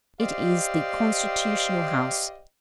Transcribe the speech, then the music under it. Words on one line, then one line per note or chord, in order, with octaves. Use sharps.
It is the constitutional House.
G4 C5 D5 D#5 F5 G5